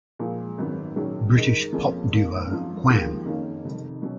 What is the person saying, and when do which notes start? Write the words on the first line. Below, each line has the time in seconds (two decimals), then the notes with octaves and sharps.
British pop duo Wham!
0.19 A#2 F3 G#3
0.58 G#1 F#2 D#3 F#3 B3
0.96 A#1 G#2 D#3 F#3 C#4
1.34 F#2 D#3 G#3 D#4 A#4
1.72 F2 F3 A#3 C#4 G#4
2.11 F2 D#3 A#3
2.49 G#1 F#2 F3
2.87 D#2 C#3 F3 A#3
3.25 F#1 F2 D#3 A#3 C#4
3.64 F1 F2 D#3
4.02 B2 F#3 C#4